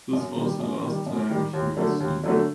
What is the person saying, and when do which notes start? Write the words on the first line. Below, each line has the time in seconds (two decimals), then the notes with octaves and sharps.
This was the last time he was seen.
0.13 F#2
0.37 D#3 G3
0.60 F#2
0.84 D#3 G3
1.06 F#2
1.30 D#3 G3
1.53 D#2
1.77 D3 F#3 A3
2.00 D#2
2.23 D3 F#3 A3